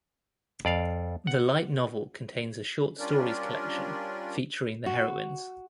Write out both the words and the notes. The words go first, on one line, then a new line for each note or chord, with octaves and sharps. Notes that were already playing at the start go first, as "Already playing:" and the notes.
The light novel contains a short stories collection featuring the heroines.
F2 D5 F5
F#5
G3 C#4 D4 F4 A#4 D5
F#4